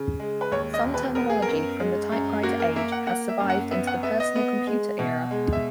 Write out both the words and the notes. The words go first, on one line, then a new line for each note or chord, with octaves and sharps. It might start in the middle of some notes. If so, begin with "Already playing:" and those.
Some terminology from the typewriter age has survived into the personal computer era.
Already playing: C#3
G#3
B4
D#2 C#5
D#5
E1
B4
B3 A#4
G#4
F#2 A#4
G#3
F#2
A#3 F#4
A#4
A#3 E5
F#5
A#3 F#5
E5
F#2
F#5
B3 E5
F#5
B3 E5
D#5
B3
G#3
B2
G#3
E5